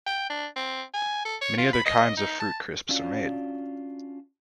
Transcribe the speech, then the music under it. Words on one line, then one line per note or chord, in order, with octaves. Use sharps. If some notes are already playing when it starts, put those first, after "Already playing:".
Many other kinds of fruit crisps are made.
G5
D4
C4
G#5
A4
C#5
F4
B5
D#5
D#4
A5
C#4 D4 F4 F#4 D5